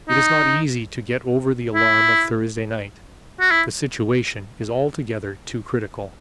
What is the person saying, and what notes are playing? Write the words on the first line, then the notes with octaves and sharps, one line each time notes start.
It is not easy to get over the alarm of Thursday night--the situation is altogether too critical.
D#4
E4
F#4
E4